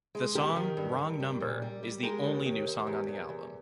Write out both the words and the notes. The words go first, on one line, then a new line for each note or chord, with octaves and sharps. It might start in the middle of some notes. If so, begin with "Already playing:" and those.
The song "Wrong Number" is the only new song on the album.
G#3
D#3 G4 A#4
D#3
G2
G2
G3
A#2
G3
G3
G#3 G4 A#4
D#2
D#2
D#2
E2
E2
E2